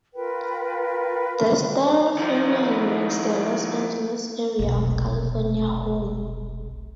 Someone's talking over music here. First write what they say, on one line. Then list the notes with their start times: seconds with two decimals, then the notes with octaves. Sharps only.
The Storr family makes the Los Angeles area of California home.
0.15 F4 A#4 B4 G5
2.19 D#3 F3
4.59 F1 B1